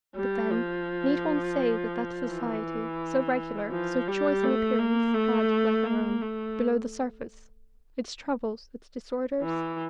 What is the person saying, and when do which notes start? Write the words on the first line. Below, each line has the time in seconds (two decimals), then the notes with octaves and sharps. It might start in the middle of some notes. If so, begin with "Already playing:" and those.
But then, need one say that that society, so regular, so choice in appearance, had, like our own, below the surface, its troubles, its disorders?
0.15 G3
0.51 F3
2.29 E3
3.71 F3
4.08 G3
4.43 A3
4.79 A#3
5.14 A3
5.86 A#3
6.21 A3
9.42 E3